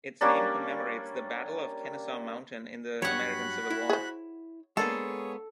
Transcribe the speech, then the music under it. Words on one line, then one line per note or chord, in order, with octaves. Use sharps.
Its name commemorates the Battle of Kennesaw Mountain in the American Civil War.
G3 A#3 C#4 D4
G2 F#3 F#4 C#5 F#5 B5 F#6
E4
G#4 C5
D3 G#3 A#3 B3 G#4 A4 C#5